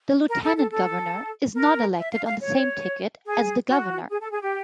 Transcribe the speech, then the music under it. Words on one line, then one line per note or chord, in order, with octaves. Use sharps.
The lieutenant governor is not elected on the same ticket as the governor.
A#4
A4
A4
A4
A#4
E5
F5
F5
C#5
G#4
F#4
G#4
A4
G#4
G4